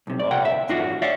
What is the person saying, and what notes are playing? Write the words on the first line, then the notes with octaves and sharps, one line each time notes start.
Oh, dude.
B1 C3
D5
C3 F#5 G5
E5
G#2 D4 F4 F#4
C#5 D5 E5 F5